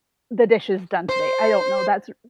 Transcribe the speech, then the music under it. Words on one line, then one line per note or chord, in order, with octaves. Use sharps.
the dishes done today, I don't know. That's r
C5